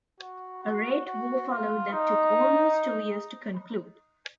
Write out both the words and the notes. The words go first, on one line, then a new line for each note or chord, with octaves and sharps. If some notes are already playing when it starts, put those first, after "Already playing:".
A rate war followed that took almost two years to conclude.
F#4
F#4
F#4
F4
D#4